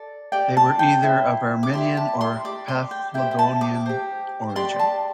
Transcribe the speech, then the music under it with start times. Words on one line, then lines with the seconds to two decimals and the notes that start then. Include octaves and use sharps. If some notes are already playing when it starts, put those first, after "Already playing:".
They were either of Armenian or Paphlagonian origin.
Already playing: A4 D5
0.32 G4 D5 G5
0.57 A5
0.79 G5
1.03 E4 C5
1.63 D6
1.74 E4 G4 D5 C6
1.97 A5
2.21 C6
2.44 G4 D5 D6
2.68 C6
2.91 G5
3.14 E4 G4 C5 G5
3.31 G5
3.39 A5
3.61 D6
3.86 G4 C5
4.56 G4 D5 C6
4.79 A5